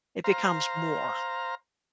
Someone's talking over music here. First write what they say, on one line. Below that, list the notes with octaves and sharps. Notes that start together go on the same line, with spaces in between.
it becomes more.
C5 F5 A#5